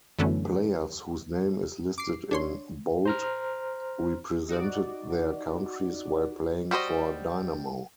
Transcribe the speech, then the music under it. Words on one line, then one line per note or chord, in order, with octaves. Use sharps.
Players whose name is listed in bold represented their countries while playing for Dynamo.
F#2 D3 E3 A3 B3 C#4
D6 C7
D4 C#5 C6
C5 A#5 F6
D#4 F#4 D5
G3 F#4 C5 D#5